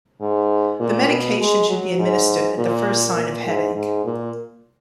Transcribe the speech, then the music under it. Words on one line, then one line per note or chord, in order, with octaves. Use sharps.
The medication should be administered at the first sign of headache.
G#2
A#2
B2
G#3
F#3
G#2
A#2
A#2
G#2
G#2
A#2